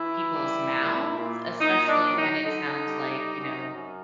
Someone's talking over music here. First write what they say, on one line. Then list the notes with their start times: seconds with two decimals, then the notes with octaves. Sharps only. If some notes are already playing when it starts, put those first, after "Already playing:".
people's mouths, especially when it sounds like, you know,
Already playing: E3 E4
0.34 G3
0.76 A#2
1.18 A#2
1.60 A#2 D#4
1.88 D4
2.02 F#3
2.07 D4
2.16 D#4
2.44 D3 D#4
2.87 G3
3.29 F#2
3.72 F#2